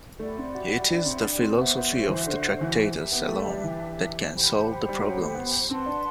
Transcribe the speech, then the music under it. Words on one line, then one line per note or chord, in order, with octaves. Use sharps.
It is the philosophy of the Tractatus, alone, that can solve the problems.
A3 E4 G4 D5 F#5
C4
F#4
F#4
D4
C4
D4
C4
B3 F#4 C5 E5
B3
G3
E3
D3
E3
D4 G4 B4 E5
B3
A3
G3
E3
G4 C5 F#5 B5
G3
F#3
A3
B3
C4 B4 F#5 A5 C6
D4